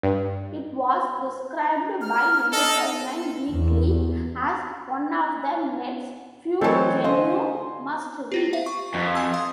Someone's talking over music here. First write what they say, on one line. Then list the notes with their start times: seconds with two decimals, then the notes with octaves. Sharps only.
It was described by "Entertainment Weekly" as one of the Net's "few genuine must-reads".
0.03 G2
2.02 F6
2.52 D#4 A4 D#5
3.51 E2
6.61 E3 F#3 A3 C4 A4 D#5 G6
7.04 D3 C5 D#5 F5 G#5 C6
8.32 E4 F4 G4
8.53 E5 F5
8.66 C#6
8.94 F2
9.15 G#5 E6
9.34 F5 C6 D#6